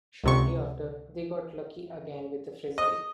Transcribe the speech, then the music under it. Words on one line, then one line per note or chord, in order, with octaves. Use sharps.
Shortly after, they got lucky again with the Frisbee.
C#2 C3 C#6
D#5